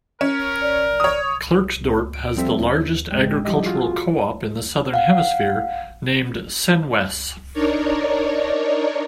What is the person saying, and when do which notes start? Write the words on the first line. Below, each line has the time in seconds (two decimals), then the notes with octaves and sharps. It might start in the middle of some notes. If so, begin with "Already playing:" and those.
Klerksdorp has the largest agricultural co-op in the southern hemisphere, named 'Senwes'.
0.21 C#4 A#4
0.62 D5
1.00 C#5 D#6
2.14 D7
2.36 F3 G3 C4 A4 E5
2.59 D#2
3.11 G1 A2 G#3 G5
3.45 F3 G3 E4 G4 D#5
3.66 F4 F#4 G#4
4.94 F5 F#5
7.53 D4 D#4 A#4 C#5 D5